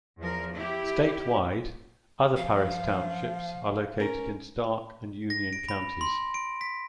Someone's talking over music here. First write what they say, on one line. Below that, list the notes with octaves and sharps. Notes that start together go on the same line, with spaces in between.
Statewide, other Paris Townships are located in Stark and Union counties.
E2 F3 A#4
E4 G4
F3 F5
C#4 A#4
A#6
D7
B5
C6
D7
B6